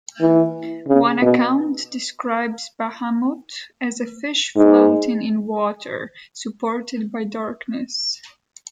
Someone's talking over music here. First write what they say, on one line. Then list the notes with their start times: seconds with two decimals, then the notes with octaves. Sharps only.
One account describes Bahamut as a fish floating in water, supported by darkness.
0.21 E3
0.88 C#3
1.22 B2
4.56 G#2